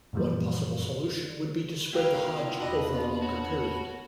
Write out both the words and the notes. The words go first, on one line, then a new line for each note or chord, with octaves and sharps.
One possible solution would be to spread the Hajj over a longer period.
F#2 A#2 E3 F3 G3
E4 F#4 A#4 B4 F5 G5
B3 D#4 F4
E2 D4 F#4 D5 D#5 B5
B3 F4
F#4 C#5